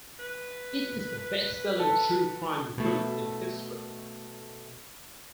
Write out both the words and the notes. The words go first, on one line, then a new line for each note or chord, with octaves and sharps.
It is the best-selling true crime book in history.
B4
A4
B2 A3